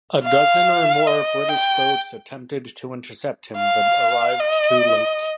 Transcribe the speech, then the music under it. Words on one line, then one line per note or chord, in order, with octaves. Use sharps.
A dozen or more British boats attempted to intercept him but arrived too late.
F5
D#5
G5
F5
D#5